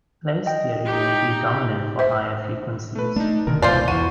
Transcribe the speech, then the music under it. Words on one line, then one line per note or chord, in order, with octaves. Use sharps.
Place theory may be dominant for higher frequencies.
D#5 G5
D#4 G4
C5 E5
A3 B4
A3 D4 D#4
B2 D3 D#3 A#4
C2 G#2 B2 E3 F4 A#4 C5 D5
E2 E3 F#4 D#7